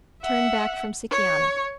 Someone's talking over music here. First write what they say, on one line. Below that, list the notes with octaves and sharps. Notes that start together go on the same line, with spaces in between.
Turned back from Sikiana.
E5 F#5
C#5